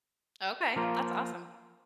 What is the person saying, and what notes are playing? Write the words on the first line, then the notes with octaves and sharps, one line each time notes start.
Okay, that's awesome.
F3 A#3 F4